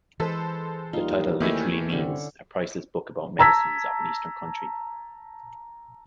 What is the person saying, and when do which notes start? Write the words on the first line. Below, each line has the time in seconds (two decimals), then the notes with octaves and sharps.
The title literally means "a priceless book about medicines of an Eastern Country".
0.20 E3 G#3 A4 B4 C5
0.93 D#2 G3 D#4 F4
1.40 D#3 E3 A3 A#3 E4 G#5
1.89 C2 G2 D3 C4 C#4
3.39 A5 A#5 E6 G#6 B6